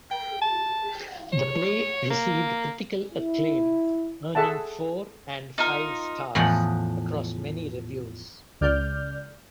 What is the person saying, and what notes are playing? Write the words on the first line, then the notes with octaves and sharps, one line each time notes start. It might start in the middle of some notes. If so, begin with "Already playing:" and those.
The play received critical acclaim earning four and five stars across many reviews.
G5
A5
C#5
A#3
E4
G#4 A4 E5 F#5 A5
D#4 F4 A#4
E2 A2 F3 D#5 F#5
C#2 D5 F6 G6